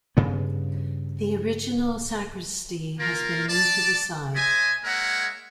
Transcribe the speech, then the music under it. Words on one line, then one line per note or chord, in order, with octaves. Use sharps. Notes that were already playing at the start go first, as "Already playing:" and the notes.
The original sacristy has been moved to the side.
G2 C#3 B3
A#3 F4 A#4
D5 A5
C5 D#5 E5 G#5
G#3 A#3 A#4 C#5 E5 F#5